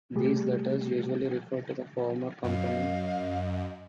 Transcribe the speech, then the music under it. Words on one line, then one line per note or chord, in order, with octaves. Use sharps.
These letters usually refer to the former company.
C3 G3 A3 G4 G#4
F#2 D#5 F5